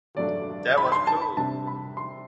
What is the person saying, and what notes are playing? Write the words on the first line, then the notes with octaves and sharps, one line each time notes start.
That was cool.
G2 F#3 A3 D4 D5
B5
C6
A5
B5
C3 G3 D4 A5
B5
C6